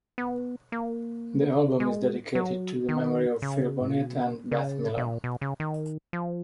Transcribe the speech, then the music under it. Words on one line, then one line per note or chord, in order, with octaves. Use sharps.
The album is dedicated to the memory of Phil Bonnet and Beth Miller.
B3
A#3
G#3
F#3
D#3
C#3
G#2
A#2
B2
C#3
B2
A#2
B2
C#3
D#3
F3